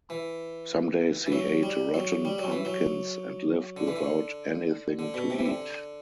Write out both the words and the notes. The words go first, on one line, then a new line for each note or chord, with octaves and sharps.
Some days he ate rotten pumpkins and lived without anything to eat.
E3
E3
F#3
G3
F#3
G3
F#3
E3
F#3
D3
E3
D3
D3
B2
C3
E3
D3